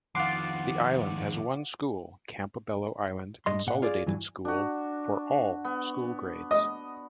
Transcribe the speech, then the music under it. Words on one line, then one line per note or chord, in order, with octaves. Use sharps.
The island has one school, Campobello Island Consolidated School, for all school grades.
F2 D#3 F4 F#5 C6 D6
G2 D#5 C6
A#2 F#5
F4 G#4 D5
G2 E3 F#3
D4 F#4
B3
D#5